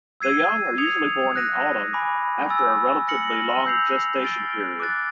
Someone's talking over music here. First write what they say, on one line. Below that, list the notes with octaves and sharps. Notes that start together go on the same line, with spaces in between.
The young are usually born in autumn, after a relatively long gestation period.
E6 G#6 C7 D#7
D#6 G#6 C#7 F7
F#6 A#6 D#7
G#5 B5 D6
G#5 B5 E6 A6
F6 A#6 C#7 F#7
E6 G6 C7 F7
F6 A6 D7 G7
D6 F#6 A6